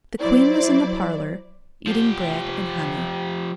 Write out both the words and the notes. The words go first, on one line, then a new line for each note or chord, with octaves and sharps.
The queen was in the parlour, eating bread and honey.
F#3 E4 C5 D5
F3 G4